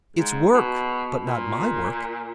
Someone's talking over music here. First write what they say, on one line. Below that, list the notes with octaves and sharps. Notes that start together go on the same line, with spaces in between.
It's work--but not my work.
G#2
B2
A#2